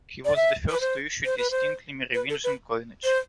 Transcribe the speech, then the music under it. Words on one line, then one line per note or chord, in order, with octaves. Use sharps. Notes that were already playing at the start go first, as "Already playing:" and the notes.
He was the first to issue distinctly Merovingian coinage.
D5
E5
B4
C5
C5
B4
C5
B4
A4
B4
C5